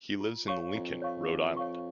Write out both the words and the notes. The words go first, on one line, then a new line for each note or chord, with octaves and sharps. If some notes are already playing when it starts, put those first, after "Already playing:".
He lives in Lincoln, Rhode Island.
F4
C#5 F5 C#6
F2 F4
C#5 F5 C#6
F4
C#5 F5 C#6